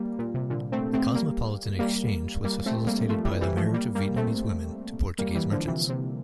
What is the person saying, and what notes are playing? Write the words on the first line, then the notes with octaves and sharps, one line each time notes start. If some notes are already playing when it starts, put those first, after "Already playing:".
The cosmopolitan exchange was facilitated by the marriage of Vietnamese women to Portuguese merchants.
Already playing: G3 A#3
A#2
C3
A#2 D3
A3 C4
A3 C4
G3 A#3
G3 A#3
G3 A#3
A3 C4
G3 A#3
F3 A3
E3 G3
E3 G3
F3 A3
G3 A#3
G3 A#3
A3 C4
G3 A#3
E3 G3
D3 F3
C3 E3
C3